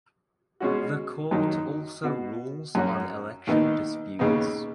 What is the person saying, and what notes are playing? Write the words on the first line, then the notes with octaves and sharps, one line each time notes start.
The court also rules on election disputes.
B2 G#3 C#4 F#4
F#2 D#3 F#3 D#4
B2 B3 F#4
F#2 F#3 C#4 F#4
D#2 D#3 B3 D#4
D#2 C#3 B3 D#4